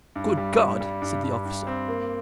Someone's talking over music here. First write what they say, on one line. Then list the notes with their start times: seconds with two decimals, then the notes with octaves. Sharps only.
"Good God!" said the officer.
0.16 G2
0.37 G3
0.59 G3
0.81 G3
1.02 G2
1.23 G2
1.45 G2
1.67 C4
1.88 A#3